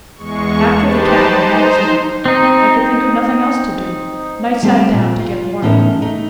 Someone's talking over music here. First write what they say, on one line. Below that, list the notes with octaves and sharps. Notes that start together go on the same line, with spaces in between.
After the cat had had his milk, I could think of nothing else to do, and I sat down to get warm.
E2 G#3 C#6
D#4 G4 B4 C5 A5
D#4 C5
C4 D#4
G3 A3 C4 G4 C5
A#2
F4
E2 A2 C#4 D#4 A#4 E5
A3 D#4